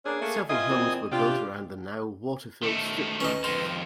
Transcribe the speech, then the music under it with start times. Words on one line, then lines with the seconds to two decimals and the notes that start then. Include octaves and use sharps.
Several homes were built around the now water-filled strip mines.
0.06 A#3 C#4 D4 G#4
0.21 A3 A#3
0.49 C4 E4 F4 D#5 G#5 D#6
0.69 E2 A#2 C4
1.11 C3 D4 F4 G4
2.63 D#3 A3
3.20 C#4 D#4 B4
3.44 F2 D#3 C5